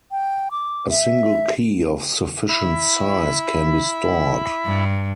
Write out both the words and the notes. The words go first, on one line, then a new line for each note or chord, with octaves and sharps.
A single key of sufficient size can be stored.
G5
D6
E5
E4 B5
G2